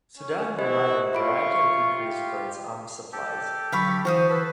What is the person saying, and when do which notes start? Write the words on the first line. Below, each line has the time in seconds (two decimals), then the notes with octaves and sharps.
Sudan relied on a variety of countries for its arms supplies.
0.18 C#4
0.59 E4 F#4 G4 C5 D#5
1.13 F4 E5 B5 C#6 D7
1.94 F4 G4
3.12 G4 A4
3.72 D3 F#3 F5 B5 C#6
4.05 E3 F#4 C5 F5 D#6
4.30 A4 B4 B5